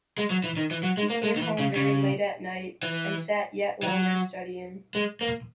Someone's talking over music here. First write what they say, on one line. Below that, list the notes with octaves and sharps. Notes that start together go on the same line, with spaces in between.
He came home very late at night, and sat yet longer studying.
G#3
F#3
E3
D#3
E3
F#3
G#3
A#3
G#3
D#3
E3
C#3
C#3
E3
E3
F#3
G#3
A#3